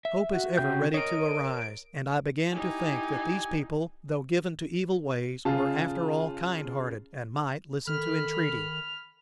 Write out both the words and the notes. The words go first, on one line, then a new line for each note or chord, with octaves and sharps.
Hope is ever ready to arise; and I began to think that these people, though given to evil ways, were after all kind-hearted, and might listen to entreaty.
E5
F#4
C#3 G5 G6
A#4 C#5 D#5 D7
D#4 E4 G4 G#5
C#3 F4 G#4 A5
D#3 A4 B5 F6